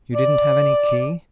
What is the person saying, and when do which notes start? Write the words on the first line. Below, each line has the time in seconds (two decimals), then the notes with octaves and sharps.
"You didn't have any key?"
0.13 D5